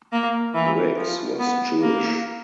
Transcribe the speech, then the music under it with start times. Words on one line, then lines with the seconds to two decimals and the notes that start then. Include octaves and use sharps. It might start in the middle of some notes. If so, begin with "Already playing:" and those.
Griggs was Jewish.
0.13 A#3
0.55 E3
0.97 F3
1.39 B3
1.82 A#3